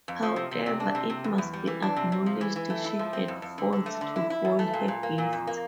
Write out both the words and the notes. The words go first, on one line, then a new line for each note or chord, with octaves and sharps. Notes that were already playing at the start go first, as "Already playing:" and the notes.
However, it must be acknowledged, she had faults to foil her gifts.
F2
F3
C3
C3
C3
D4
C3
C3
E2
E2
G3
E3
D4
C3
C3
F3
E3
E3
A3
E4
F3
C4
F2
F2
D3
D3
A3
D3
E4
E4
E2
A3
A#2
A#2
A#3
A#2
F2
A#3